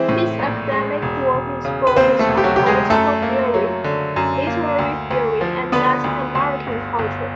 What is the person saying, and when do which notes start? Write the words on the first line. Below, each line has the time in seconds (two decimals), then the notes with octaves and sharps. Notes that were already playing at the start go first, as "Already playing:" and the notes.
His academic work is focused on political theory, literary theory and Latin-American culture.
Already playing: E3 G#3 C4 E4 C5
0.09 A2
0.39 A#1
0.71 G#3
1.02 E1
1.34 E1
1.65 C#3
1.87 B4
1.96 D#2 C4 C5
2.19 A3 A4
2.28 E1
2.37 G4
2.44 F#3 F#4
2.56 E1 G4
2.66 G#3 G#4
2.90 F#2 A3 A4
3.22 A#3
3.54 F#3
3.84 D3
4.16 F#2
4.47 A#3
4.79 D2
5.11 D2
5.41 F3
5.72 D3 B3 B4
6.04 D2
6.35 D2
6.67 G1
6.99 G1